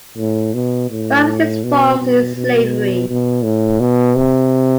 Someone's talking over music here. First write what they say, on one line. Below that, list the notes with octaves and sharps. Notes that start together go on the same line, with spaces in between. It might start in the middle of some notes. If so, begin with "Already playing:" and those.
One of its forms is slavery.
A2
B2
A2
B2
B2
B2
B2
A2
B2
C3